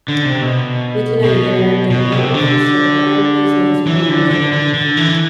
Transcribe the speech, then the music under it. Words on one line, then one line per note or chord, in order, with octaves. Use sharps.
Within a year the young officer earned his next promotion.
D3
C3
B2
B2
B2
C3
D3
E3
D3
D3
D3
D3
E3